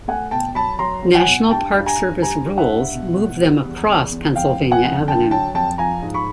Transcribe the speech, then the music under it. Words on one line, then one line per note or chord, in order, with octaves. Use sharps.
National Park Service rules moved them across Pennsylvania Avenue.
A3 F#5 G#5
B2 G5 A5
F#3 A5 B5
F#3 A#5 C6
F#3
F#5 G#5
B2
G2 G5 A5
G2
G#5 A#5
G2
G3 G#5 A#5
G2
E5 F#5
G2
B2
B2
G3
E2
E2
E2
F2 F5 G5
F2
F#5 G#5
F2
D3 G5 A5
F#3 G5 A5
F2 G5 A5
F3 G#5 A#5
G#2
B5 C#6